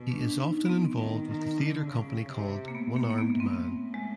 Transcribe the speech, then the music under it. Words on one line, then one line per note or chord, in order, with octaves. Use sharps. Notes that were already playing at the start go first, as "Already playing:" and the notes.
He is often involved with the theater company called One Armed Man.
Already playing: B2
D4
D#4
B3
C4
D#3
D#3
D3
C#3
C3
A#3
A2 B3
A#3
G#2
A#3
B3
A2
C4
G#3